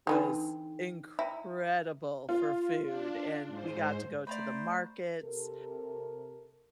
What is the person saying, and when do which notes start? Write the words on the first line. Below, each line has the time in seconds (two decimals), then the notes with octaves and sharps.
was incredible for food, and we got to go to the markets,
0.07 D3 E3 C4 D#4 A4 B4
1.19 E4 E5 G5 A#5
2.29 F4
2.84 D4
3.46 G#2 C5
4.27 A3 C5 D5 A#5 B5
5.23 C3 A4 A#4